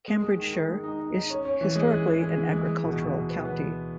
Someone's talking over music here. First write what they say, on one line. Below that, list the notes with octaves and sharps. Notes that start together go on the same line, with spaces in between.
Cambridgeshire is historically an agricultural county.
G#3
G#3
D#3
D#3
G#3
D#4
D#4
D#4
C#4
C#4
E3
G#3
G#4
G#4
G#4
E3
G#3
G#3
B2
B2
B2
B3
B3